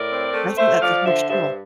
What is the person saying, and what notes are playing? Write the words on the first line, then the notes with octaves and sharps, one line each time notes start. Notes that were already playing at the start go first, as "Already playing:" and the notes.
I think that's a huge tool.
Already playing: A2 A#4 D5
C4
A3
A3 C5 E5
F3 D5 F5
D3 C5 E5
G2 C5 E5